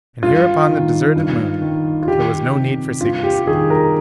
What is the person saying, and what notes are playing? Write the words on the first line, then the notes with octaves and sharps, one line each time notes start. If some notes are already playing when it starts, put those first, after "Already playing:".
And here upon the deserted Moon there was no need for secrecy.
G2 F4
D#3
G2
D#3
F4
D#3 G4
C3
G2 F4
G4
D#3 G#4
A#4